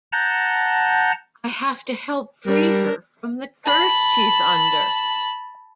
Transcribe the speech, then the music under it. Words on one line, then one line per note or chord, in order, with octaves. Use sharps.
I have to help free her from the curse she's under.
F#5 A5 A#5 G6
G3 D4 A#4
A5 B5